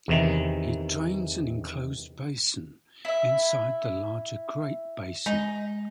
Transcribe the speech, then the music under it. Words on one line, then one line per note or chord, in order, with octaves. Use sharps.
It drains an enclosed basin inside the larger Great Basin.
E2 C3 D#3 E3
E4 E5
G#3 D#4